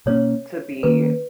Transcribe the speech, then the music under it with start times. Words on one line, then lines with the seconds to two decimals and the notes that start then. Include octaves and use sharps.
to be
0.06 B2 A#3 C#4 C#5
0.83 D#3 A#3 C#4 B4